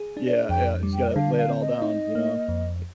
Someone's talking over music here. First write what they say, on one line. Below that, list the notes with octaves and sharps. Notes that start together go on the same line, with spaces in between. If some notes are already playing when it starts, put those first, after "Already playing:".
Yeah, yeah, you just gotta lay it all down, you know? Like
Already playing: G#4
D4
D5
F2 G5
G3
G5
D#5
D3 F5
F5
C4
D#5
D#4
A#3
F2